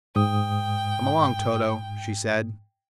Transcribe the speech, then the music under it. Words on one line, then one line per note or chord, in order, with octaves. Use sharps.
"Come along, Toto," she said.
G#2 G5 D#6